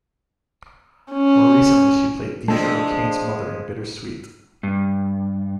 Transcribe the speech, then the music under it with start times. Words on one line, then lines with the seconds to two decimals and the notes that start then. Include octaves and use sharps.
More recently, she played Deirdre O Kane's mother in "Bitter Sweet".
1.12 C#4
2.48 F3 G#3 A3 C4 D4
4.63 G2